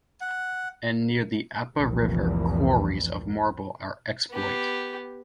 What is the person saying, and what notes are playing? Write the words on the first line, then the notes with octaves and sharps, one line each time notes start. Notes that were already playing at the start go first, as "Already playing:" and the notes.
And near the Apa River quarries of marble are exploit.
F#5
F1 C2 F2 A#2 E3 F3
B3 G4